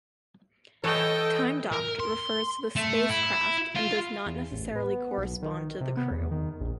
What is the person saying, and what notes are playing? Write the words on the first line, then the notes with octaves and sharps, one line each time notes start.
"Time docked" refers to the spacecraft and does not necessarily correspond to the crew.
E3 A4 C#5 D#5 G5
A#4
C6
A3
E4
F4
E2
A1
B3
B1
D#3
C3
B3
E2
D#3
A#1